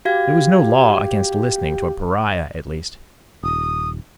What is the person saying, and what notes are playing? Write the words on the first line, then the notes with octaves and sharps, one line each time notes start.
There was no law against listening to a pariah, at least.
F#4 G4 F5 G#6
D#1 D#6